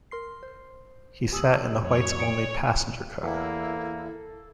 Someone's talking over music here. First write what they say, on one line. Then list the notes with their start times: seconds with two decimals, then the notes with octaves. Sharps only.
He sat in the "whites-only" passenger car.
0.11 A#4 C6 C7
0.43 C5
1.32 G4 G#5 D#6 E6 F#7
1.82 F2 A2 C#5
2.19 D5 D#6 C#7 D7
3.23 E2 A#3 E4 A4